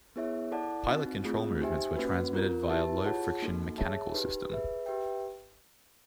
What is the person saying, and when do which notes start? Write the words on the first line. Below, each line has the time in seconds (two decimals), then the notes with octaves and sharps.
Pilot control movements were transmitted via a low-friction mechanical system.
0.16 B3 E4 G#4 C#5 E5
0.52 E4 A4 D5 F#5 A5
0.88 C4 D#4 F#4
1.24 A3 C4 F4 G#4
1.60 D#4 G4 C5 E5 G#5
1.96 A#3 C#4 F#4 B4
2.33 C4 F4 A#4
2.70 E4 G4 B4 E5 A5
3.06 F4 G#4 C#5 F#5 A5
3.42 A#3 D#4 F#4 A4
3.78 G#4 C#5 E5 A5
4.14 D#4 G4 B4
4.50 G#4 B4 E5
4.86 G4 B4 E5 G5